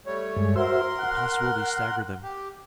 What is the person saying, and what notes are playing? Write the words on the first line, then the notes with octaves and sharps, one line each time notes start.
The possibility staggered them.
G3 A3 C#5
G2 G#3
F#4 A#4 C5 E5 C6
F#5
G4